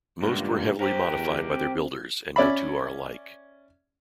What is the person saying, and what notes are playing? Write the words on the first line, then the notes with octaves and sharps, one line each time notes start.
Most were heavily modified by their builders, and no two are alike.
C#2 G2 A#2
G4 A#4 C5
E2
C4
C#4 D5 E5 B5